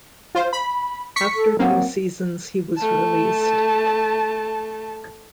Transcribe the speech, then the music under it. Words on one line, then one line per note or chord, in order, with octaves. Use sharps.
After two seasons he was released.
F4 C5
B5
C#6 B6 C#7
A4
F#3 A#3 C4
A3 A5